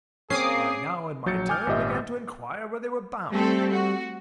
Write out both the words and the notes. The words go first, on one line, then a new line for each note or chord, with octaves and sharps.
I now in my turn began to inquire where they were bound?
A#3 C4 C#4 G#4 D6 D#6 C7
A#1 F#3 G6 A6 C#7
G5 G#5 D6 D#6 F6 G6
G#1 A#2 G4 D#5 E5
G3 A3 C4 A4
F#4